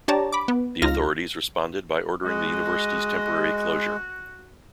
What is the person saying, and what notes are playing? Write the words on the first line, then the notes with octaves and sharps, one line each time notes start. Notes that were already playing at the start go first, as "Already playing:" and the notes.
The authorities responded by ordering the university's temporary closure.
D4 G4 C#5 D5 A5 A#5
B5 D6
B3
C#2 D#4 F4 F6 A#6
G#3 F#4 D#5